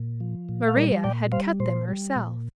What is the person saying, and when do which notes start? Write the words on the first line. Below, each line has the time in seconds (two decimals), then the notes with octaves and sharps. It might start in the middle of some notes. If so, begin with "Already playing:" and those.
Maria had cut them herself.
Already playing: A#2
0.20 F3
0.49 A#2
0.68 F5
0.76 G3 A#4 D5
1.04 A#2 D5 G5
1.32 G3 C5 F5
1.60 A#2 C5
1.88 G3
2.16 A#2